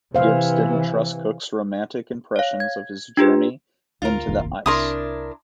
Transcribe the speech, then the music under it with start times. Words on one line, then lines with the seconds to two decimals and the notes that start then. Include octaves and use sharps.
Gibbs didn't trust Cook's "romantic" impressions of his journey into the ice.
0.15 C3 E3 C5 F5
2.36 C#5 F5
2.60 G#6
3.17 D4 F4 G4 B4
4.02 D2 F4 A#4
4.27 F1 A#1 D#2
4.66 C2 D4 E4 A#4 C6 D#6